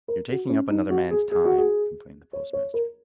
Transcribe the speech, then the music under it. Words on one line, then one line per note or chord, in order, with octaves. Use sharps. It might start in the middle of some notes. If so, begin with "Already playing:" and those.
"You're taking up another man's time," complained the postmaster.
A#4
F#4
C#4
D#4
F#4
G#4
G#4
F#4
G#4
C#5
C#5
A#4